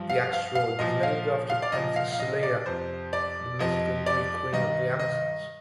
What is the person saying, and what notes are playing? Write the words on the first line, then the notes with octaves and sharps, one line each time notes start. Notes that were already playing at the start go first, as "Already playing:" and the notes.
The asteroid was named after Penthesilea, the mythical Greek queen of the Amazons.
Already playing: G2 F3
F5
F5
F5
A#2 F3 D#5
F5
F5
D5
A#2 F3 D#5
F5
F5
D#5
D5
F2 C3 F3 C5
D5
F2 C3 F3 D#5
D5
G2 D#3 D#5
D#5